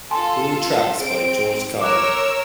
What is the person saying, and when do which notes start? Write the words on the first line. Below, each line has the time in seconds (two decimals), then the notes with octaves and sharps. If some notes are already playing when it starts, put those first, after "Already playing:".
All tracks by George Carlin.
0.11 F4 A4 G#5 A5 C6
0.99 C4 G#4 D7
1.81 A#4 C#5 D6 E6 F#6